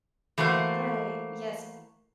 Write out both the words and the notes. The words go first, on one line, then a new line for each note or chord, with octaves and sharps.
Right, yes,
E3 A3 A#3 F#4 C5